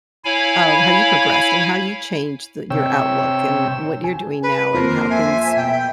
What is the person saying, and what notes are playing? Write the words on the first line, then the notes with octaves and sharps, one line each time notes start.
um, how you progressed and how you changed the your outlook and what you're doing now and how things,
E4 C#5 F5 G#5 B5
C3 C#5 G5 E6
G#5
B4
F2 A#3 A#4 C5
E5 G#5
B2 G5